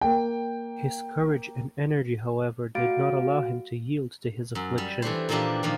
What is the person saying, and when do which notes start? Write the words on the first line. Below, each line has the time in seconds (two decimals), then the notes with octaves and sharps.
His courage and energy, however, did not allow him to yield to his affliction.
0.01 A#3 G5
2.75 A3 F#4 F5 A6 D7
4.55 F#2
4.78 G3
5.02 E3 A3 D4 C5
5.29 A#2 E3 F3 A#3 D4 G4
5.63 D#3 F3 A#3